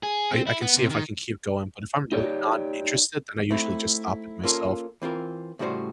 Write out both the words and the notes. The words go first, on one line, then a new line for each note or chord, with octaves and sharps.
I I can see if I can keep going, but if I'm really not interested, then I usually just stop it myself,
G#4
C4
E4
B3
C3
D#3
D#4 G4 C#5 D5
A3 C4 D#4 E4
A#3 C#4 F4 A4 A#4
E3 C4 F4 A#4
A2 C#3 G3 F#4 B4 C5